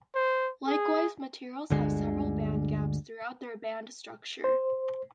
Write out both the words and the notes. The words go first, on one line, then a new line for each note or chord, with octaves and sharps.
Likewise, materials have several band gaps throughout their band structure.
C5
G#4
G1 D2 D3 G#3
C5